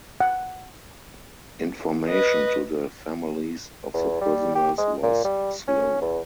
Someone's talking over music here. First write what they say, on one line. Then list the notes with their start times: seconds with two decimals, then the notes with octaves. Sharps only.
Information to the families of the prisoners was slow.
0.20 F#5
2.08 B4 D#5
3.94 E2
4.21 G3
4.55 G4
4.78 G#3
5.03 A#2
5.24 G3
5.68 C#4
6.02 E2